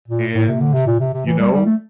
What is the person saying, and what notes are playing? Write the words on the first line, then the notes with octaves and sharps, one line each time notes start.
and, you know
A#2
A2
C3
D3
C3
A#2
C3
C3
E3
G3
G3
A3